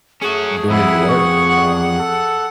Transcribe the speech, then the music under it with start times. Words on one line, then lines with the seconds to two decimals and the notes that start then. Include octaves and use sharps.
doing your work, um,
0.22 A3 C#4 F#4 G#4
0.70 F2 E4 F#5
1.10 C#6
1.49 F#5
1.99 A4